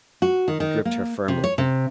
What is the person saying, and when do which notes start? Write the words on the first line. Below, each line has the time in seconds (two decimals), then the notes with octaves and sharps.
He gripped her firmly.
0.22 F#4
0.48 D#3
0.60 D#3
0.85 A#3
1.28 C3
1.44 C#5
1.58 C3